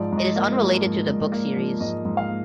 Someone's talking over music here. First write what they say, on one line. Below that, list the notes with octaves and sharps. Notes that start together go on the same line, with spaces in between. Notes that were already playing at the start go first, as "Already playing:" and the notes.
It is unrelated to the book series.
Already playing: G#2 F3 D5
G#2
D#5
A#3
F3
G#2
G#2
A#3
F3
G#2 D#5
G#2
F5
A#3